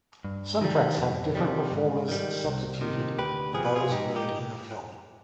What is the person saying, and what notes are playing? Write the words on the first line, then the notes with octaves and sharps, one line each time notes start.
Some tracks have different performers substituted for those heard in the film.
G2
D#3 G3
F2
C3 D#3 G3
G#2
D#3 G3
C2
C3 D#3
D2 G4 B4
C3 F3 G#4
B4
F4 G#4
G#2 D#4 G4
D#4 G4